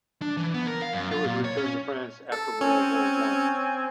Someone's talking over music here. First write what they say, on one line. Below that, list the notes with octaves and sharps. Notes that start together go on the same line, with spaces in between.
It was returned to France after World War One.
D4
E3
B3
A#4
F5
F#2
F4
A#2
C#5
C#4
A4
C4 C#4 G#5